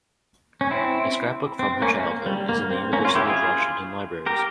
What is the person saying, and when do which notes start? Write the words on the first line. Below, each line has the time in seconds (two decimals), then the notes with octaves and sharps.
A scrapbook from her childhood is in the University of Washington Libraries.
0.61 C#4
0.71 C4 E4
1.59 C4
1.82 A#3 C#4
2.04 A#3
2.26 G3
2.49 A#3
2.71 C4
2.93 A#3 C#4
3.05 C#4 F4
3.15 E4 G4
3.26 F4 G#4
4.26 G4 A#4